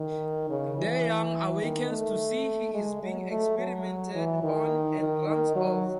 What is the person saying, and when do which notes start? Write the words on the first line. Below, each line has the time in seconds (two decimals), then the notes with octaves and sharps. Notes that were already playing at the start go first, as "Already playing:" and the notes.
DeYoung awakens to see he is being experimented on and runs off.
Already playing: D#3
0.50 C#3
0.77 E3
1.62 D#3
1.90 A3
2.74 G#3
3.03 F#3
3.31 A3
3.59 F#3
4.15 E3
4.43 D#3
4.99 D#3
5.28 D#3
5.56 F#3